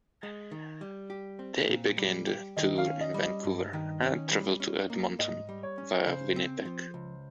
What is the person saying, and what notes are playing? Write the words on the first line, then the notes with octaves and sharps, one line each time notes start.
They begin the tour in Vancouver and travel to Edmonton, via Winnipeg.
G#3
D#3
G3
G4
C4
A#2
G3
G4
D#3 D#5
F5
C#4
D#5
G3
D#5
G2
D#3
C#4
G3
C#4
A#3
G#2 D#5
G3
C#5
C#4
C#3 C5
C4
F3
C#2